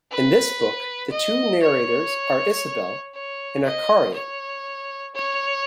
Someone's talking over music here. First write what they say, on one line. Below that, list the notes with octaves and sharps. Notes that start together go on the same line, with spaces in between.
In this book, the two narrators are Isabel and Arkarian.
B4
D#5
C#5
C#5
D#5
C#5
C#5